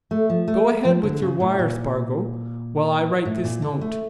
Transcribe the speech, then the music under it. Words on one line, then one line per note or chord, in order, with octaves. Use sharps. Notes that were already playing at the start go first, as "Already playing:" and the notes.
"Go ahead with your wire, Spargo, while I write this note."
A3
F3
A3
F3
D3
C#3
A2
A#2
A2
A#2
D3
A3